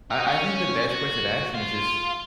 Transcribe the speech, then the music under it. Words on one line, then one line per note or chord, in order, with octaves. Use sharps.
I I think the best course of action is just
D#4
C#4
F#4
F4